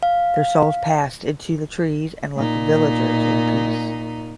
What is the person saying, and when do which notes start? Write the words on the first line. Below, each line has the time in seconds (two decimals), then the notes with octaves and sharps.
Their souls passed into the trees and left the villagers in peace.
0.03 F5
2.37 A#2 D#4